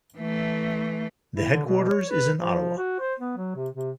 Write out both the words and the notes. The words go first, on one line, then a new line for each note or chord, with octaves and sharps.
The headquarters is in Ottawa.
E3 A3
E4
D3
B2
C#5
B4
F3
F#4
C5
B3
F#3
C3
C3